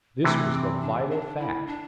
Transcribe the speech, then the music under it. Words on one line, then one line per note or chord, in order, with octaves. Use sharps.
This was the vital fact.
C3 E3 A3
C4
D4
D4
E4
D4